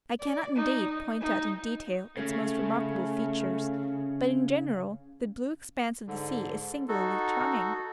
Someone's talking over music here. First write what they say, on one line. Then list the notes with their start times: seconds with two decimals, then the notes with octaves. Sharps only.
I cannot, indeed, point out in detail its most remarkable features, but, in general, the blue expanse of the sea is singularly charming.
0.19 D5
0.56 D#4
1.21 D#4
2.17 C#3 A3
6.07 G#2 D3
6.88 D#4 F#4 A4